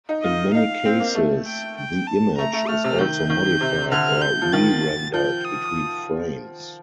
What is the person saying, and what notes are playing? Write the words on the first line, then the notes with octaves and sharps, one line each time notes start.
In many cases, the image is also modified or re-rendered between frames.
D#4
F4 D#5
D#4 F5
C4
A#3
A3
G5
G5
A5
A3 A#5
A3
A3 F6
C3
D#3 G6
D#3 G6
C3
D3 F6
G6
F3
D#3 A6
F3 G6
D#6